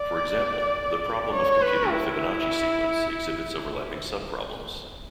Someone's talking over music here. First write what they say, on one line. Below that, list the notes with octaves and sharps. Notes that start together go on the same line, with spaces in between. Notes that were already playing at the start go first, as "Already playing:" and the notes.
For example, the problem of computing the Fibonacci sequence exhibits overlapping subproblems.
Already playing: D5
C#5
B4
E4